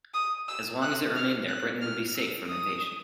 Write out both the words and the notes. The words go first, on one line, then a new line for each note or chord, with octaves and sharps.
As long as it remained there, Britain would be safe from invasion.
D#6
E6
F#6
F6
F#6
F6
E6
D#6